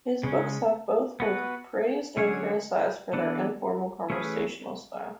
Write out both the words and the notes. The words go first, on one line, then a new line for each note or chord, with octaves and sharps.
His books have been both praised and criticized for their informal, conversational style.
C#3 G#3 C#4
B3 F#4 B4
D3 F#3 C#4 G#4 C#5
E3 B3 D4
E3 A3 C#4 G#4 B4